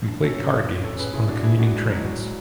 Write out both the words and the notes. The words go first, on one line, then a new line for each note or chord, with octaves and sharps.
And play card games on the commuting trains.
D4
C#4 A4 C#5
A2
C#4
A2
C#4 A4 C#5
A2 G#4 B4
A2 E4 G#4
A2 D4 F#4
G#3 E4 G#4
A2 D4 F#4
G#3
F#3 G#3
A2 F#3
G#3